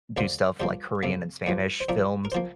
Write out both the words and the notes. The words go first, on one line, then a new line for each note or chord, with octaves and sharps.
do stuff like Korean and Spanish films.
D2 D3 A#3 C5
G2 F3 A#3 C5
F2 C3 A#3
G2 F3 A#3
C5
A#2 F3 A#3 A#4
A#4
F3 A#3 C5